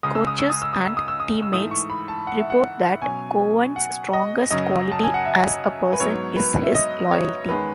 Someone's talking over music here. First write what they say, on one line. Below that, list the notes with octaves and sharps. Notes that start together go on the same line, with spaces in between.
Coaches and teammates report that Cowan's strongest quality as a person, is his loyalty.
C#2 C#3 G#3 D#6
E6
D#6
E6
D#6
E6
D#6
E6
D#6
E6
D#6
E6
G#2 E3 A3 D#6
C#6
B5
A5
F#5
E5
F#5
B2 F#3 C#4 G#5
F#5
D#5
F#2 C#3 F#3 C#4 D#5
A5
G#5
F#5
E5
B4
G#2 F#3 B3 C#5
B4
E5
D#5
C#5
E2 D#3 G#3 C#4 B4